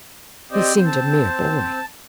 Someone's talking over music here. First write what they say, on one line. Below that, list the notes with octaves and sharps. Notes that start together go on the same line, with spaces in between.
He seemed a mere boy.
C4 G4 C5 D5 D#5
A5